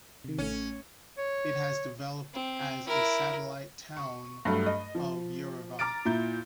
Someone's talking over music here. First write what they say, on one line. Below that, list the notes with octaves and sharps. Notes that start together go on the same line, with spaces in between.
It has developed as a satellite town of Yerevan.
C3 D#3
A1 A3 C#4
C#5
C4
E4 A#4
C#6
G2 F#3 A3
D#5
F3
A#5 D6 F6 A6 D7
A#2 E4 G6